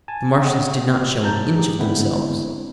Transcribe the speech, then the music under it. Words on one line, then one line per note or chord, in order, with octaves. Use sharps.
The Martians did not show an inch of themselves.
G#5 A5
D#5 F#5 G5
A5 A#5 G6
G4 G#4
D3 G#3 B3 C4 D4 E4